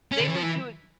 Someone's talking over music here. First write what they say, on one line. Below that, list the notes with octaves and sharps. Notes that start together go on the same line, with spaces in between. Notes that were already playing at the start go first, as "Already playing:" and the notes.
they would do it
C#4
D3
E3
F3
E3